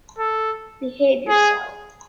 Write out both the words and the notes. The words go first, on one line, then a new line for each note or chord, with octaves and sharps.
Behave yourself!
A4
G#4